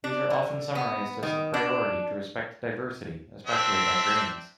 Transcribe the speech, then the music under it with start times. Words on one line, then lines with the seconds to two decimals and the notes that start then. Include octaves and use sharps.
These are often summarized as the priority to respect diversity, especially by Greens.
0.04 D4
0.30 D3
0.75 B3
1.23 D#3
1.54 D4
3.47 C4 D4 E5